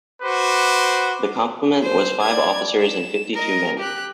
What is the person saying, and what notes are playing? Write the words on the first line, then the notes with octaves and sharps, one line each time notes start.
The complement was five officers and fifty-two men.
F#4 B4 C5 D6
C5
D5 G#6
E7
A#4 D#5
G4 F#6